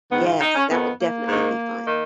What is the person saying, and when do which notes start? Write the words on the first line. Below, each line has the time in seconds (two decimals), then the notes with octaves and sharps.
Yes, that would definitely be fun.
0.10 G#2 D#3 B3
0.26 F4
0.40 D#4
0.55 C#4
0.69 F2 D#3 B3
0.98 A#3
1.27 G#2 D#3
1.86 D#3